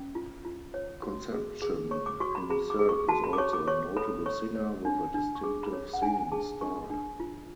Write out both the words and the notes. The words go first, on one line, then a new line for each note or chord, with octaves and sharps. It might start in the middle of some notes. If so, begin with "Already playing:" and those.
Concepcion himself was also a notable singer, with a distinctive singing style.
Already playing: C#4
F4
F4
C#5
F#4
G#4
G#4
C#5 C#6
D6
F#4 C#6
B5
G#4 B5
D6
G#4
C#6
F#4 A5
B5
D6
C#5 C#6
D6
C#5 C#6
A4 B5
C#5 C#6
C#5
D4
D4
C#6
G#4 D6
B5
C#5
F#5
D4 G#5
G#4 A5
D4 C#6
D4
F4